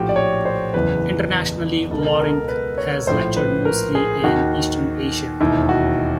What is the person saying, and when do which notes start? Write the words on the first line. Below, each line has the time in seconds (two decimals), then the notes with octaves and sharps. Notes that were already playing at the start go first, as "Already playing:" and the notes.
Internationally, Lorenc has lectured mostly in Eastern Asia.
Already playing: A#1 A2 F3 F#4 G4
0.09 D5
0.16 C#5
0.45 C5
0.74 F#1 E2 C#3 E3 B4
1.91 C#2 B2 A4
1.98 A#4
2.05 A4
2.20 A#4
2.48 B4
2.78 C#5
3.07 A#1 A2 F3 C5
3.36 B4
3.65 A#4
3.95 G#4
4.24 D#2 D#3 F#4
5.40 E1 D#2 D#3 E4
5.69 F#4